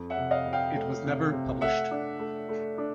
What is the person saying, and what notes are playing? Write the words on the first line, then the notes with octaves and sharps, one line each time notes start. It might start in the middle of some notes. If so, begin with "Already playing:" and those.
It was never published.
Already playing: F2
E5 F#5
C3
D#5 F5
C3
F5 G5
A3
C3
C3
A3 E5 F#5
D4
A3
A3
D4